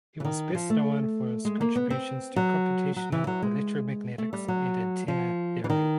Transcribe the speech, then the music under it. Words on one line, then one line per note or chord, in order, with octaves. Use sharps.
He was best known for his contributions to computational electromagnetics and antenna theory.
E3
D#3
F3
A3
G#3
A#3
B3
C4
F#3
F#3
E3
F#3
G#3
A3
G3
F#3
F3
E3
D#3